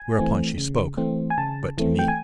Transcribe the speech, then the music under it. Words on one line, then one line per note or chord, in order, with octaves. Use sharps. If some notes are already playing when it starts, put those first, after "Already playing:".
Whereupon she spoke, but to me.
Already playing: G#5
E3 A3 C4
C#3
E3 A3 C4
G#5
C#3 A5
E3 A3 C4
G5
G#5